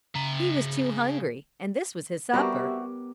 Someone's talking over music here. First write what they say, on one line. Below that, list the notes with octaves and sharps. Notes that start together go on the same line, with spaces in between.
He was too hungry, and this was his supper.
C#3 A#5
G3 B3 C4 F#4 G4 A#4 E5 D6